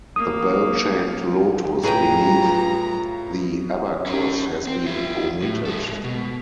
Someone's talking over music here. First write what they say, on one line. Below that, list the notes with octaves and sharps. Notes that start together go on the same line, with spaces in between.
The bell-shaped lotus beneath the abacus has been omitted.
A#3 D#6
A2 F4 G#4 B4 G5 A#5 D#7
C#4 A#4
C4
F4 E5
A2
G#3 A4
B2